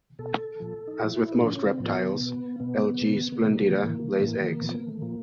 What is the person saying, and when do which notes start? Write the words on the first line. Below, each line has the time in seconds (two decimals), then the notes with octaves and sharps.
As with most reptiles, "L. g. splendida" lays eggs.
0.19 B2 A4
0.60 A#2 F3
0.87 D#4
1.00 A#2 F3 E4
1.40 A2 F3 D4
1.53 C#4
1.67 C4
1.80 A2 F3 B3
2.20 B2
2.60 B2 B3
3.01 B2
3.32 B3
3.41 B2 A#3
3.81 A2 E3
4.22 A2 E3
4.61 A#2 F3 B3
4.74 A#3
4.89 A3
5.02 A#2 F3 A#3